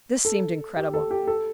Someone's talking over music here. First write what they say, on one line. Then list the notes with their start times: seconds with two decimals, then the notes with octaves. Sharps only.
This seemed incredible.
0.25 A4
0.77 G4
0.94 A4
1.11 G4
1.27 A4